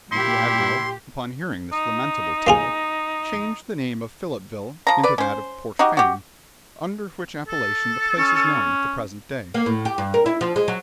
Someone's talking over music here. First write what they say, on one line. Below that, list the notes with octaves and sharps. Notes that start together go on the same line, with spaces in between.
The Admiral, upon hearing this lamentable tale, changed the name of Philippeville into that of Port Famine, under which appellation the place is known at the present day.
A#2 E4 G4 C6
D#4
A#3 F4 G#4
F3 A#5
B4 D5
C#4 C5
D#4 F#4 G4
F#4 G4
A4
C#4
A#3
A2
G4
G2
A#4
E4
F3
G#3
F#3